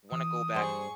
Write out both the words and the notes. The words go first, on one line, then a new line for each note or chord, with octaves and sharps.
wanna go back
E3 D#6
G2 G#4 C5 C#6